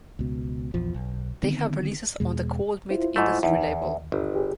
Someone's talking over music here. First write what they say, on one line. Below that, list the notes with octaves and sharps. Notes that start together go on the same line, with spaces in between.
They have releases on the Cold Meat Industry label.
C#2 B2
A#1 E2 F3
B1
D3 D#3 B3 C4
E2 B2 G#3
E4 F4 C5
G#2 A3
E2 E3 D#4 E4
D#2
G1
G4 G#4